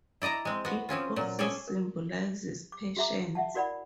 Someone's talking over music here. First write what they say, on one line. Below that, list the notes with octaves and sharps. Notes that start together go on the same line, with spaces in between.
It also symbolizes patience.
E4 D5 D#5 A5 A#5
G#3 C4
B3 F#4
F3 C4 C#4 F4
A#2 F#3
C#4 G#4 A4 C#5 D5
A#4
D6
F#4 G#4 E5 A#5 D6
E5 F#5 A5
E4 F#4 A#4 D5 F#5 B5